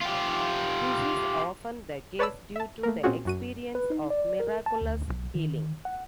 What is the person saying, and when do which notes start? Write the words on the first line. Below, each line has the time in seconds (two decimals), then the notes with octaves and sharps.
This is often the case due to the experience of miraculous healing.
0.01 F4 G4
2.19 B4 C#5 D5 A5 B5 E6
2.56 E5 A5
2.83 A3 A#3 A#4
3.03 A#2 C4 C#4 F4 F#4 G#4
3.25 F#2 F#4 D#7
3.75 B4
3.90 D#4
4.10 D5
4.40 A#4
4.66 A5
4.81 D2
5.08 B1
5.35 D#3
5.85 F#5